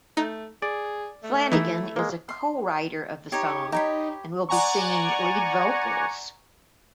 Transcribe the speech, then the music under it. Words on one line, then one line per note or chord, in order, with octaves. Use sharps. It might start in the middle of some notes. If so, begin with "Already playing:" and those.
Flanagan is a co-writer of the song, and will be singing lead vocals.
A3 D#4
G#4 D5
A3
E3 D#4 E4
G#3 A#3
C6
D#4 G4 C#5
D#4 G4 C#5 B5
D5 F#5 G#5 A#5 C#6